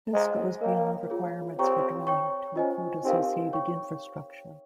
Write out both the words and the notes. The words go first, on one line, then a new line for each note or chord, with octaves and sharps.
This goes beyond requirements for drilling, to include associated infrastructure.
G#3 C5 D#5 A#5
A#3 A#4 C#5 G5
F4 G#4 C#5
C4 G4 C#5 G5 A#5 C#6
C#5 G5 C#6
C#4 F4 C5 D#5 G#5
C4 D#4 G4 A#4 F5
C#5 G5 C#6